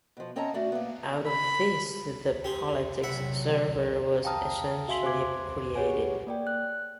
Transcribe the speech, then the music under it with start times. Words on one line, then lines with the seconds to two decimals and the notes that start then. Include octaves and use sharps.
Out of this the Politics server was essentially created.
0.17 B2 F3
0.36 C4 C#4 C#5 D#5 A5 A#5
0.54 A3 F#4 D5
0.72 A#3 B3
1.27 B5
2.44 G4 G#4 C6
3.03 C3 F#3 E5 F#5 B5
4.24 F5 G5 A5 A#5 D#6 F6
4.88 F#4 E5 F5 G#5 C6 B6
5.03 C5 G#5 C6 D6 G#6
5.76 G4 G#4 B4 C#5 F#5 G#5
6.27 A#3 D5 G5
6.47 F#6